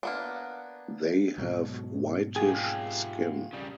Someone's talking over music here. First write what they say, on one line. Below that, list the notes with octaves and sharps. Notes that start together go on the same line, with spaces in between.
They have whitish skin.
A#3 B3 D4
G#2 B2 F#3
F4 G4 G#4
C#3 G3